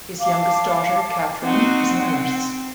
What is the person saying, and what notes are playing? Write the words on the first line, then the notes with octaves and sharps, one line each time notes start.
His youngest daughter, Catherine, is a nurse.
F5 A5 D6
C4 D#4 F#4 F#5
C4